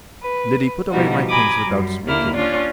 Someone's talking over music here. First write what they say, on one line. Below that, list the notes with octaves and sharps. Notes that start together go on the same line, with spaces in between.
Liddy put away my things without speaking.
B4
B2 E3 F3 G3 D#4 F#4
G#5 A#5 B5 D6 D#6
F#2 G3
D#2 D3 A#3 E4 F6
C#4 D4 F4 D5